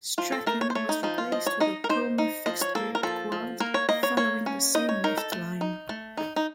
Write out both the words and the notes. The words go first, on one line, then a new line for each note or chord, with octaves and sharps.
Strachan was replaced with a Poma fixed-grip quad following the same lift line.
F3 F4
A4
A3 A#4
C#5
C5
A3 C#5
D#4
F3 D#4
F4
F3 D#5
C#5
D#4 D#5
A#4
D#4 C5
D#4
F3 D#5
C#5
A#3 A4
A#4
F3 A4
F3
A#3 A#4
C#5
A#3 D#5
C#5
A#3 C#5
C#4
D#4 D#5
C#5
D#4 A#4
A4
A3
D#4
A3
D#4
D#4